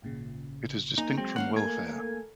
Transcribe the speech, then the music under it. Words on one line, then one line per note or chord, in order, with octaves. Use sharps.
It is distinct from welfare.
G#1 A#2 C#3
A#3 D#4 G#5
F#3 G#3 C4
D#3 A3 A#3 C#4 F5 F#5
A4 A#4 G#5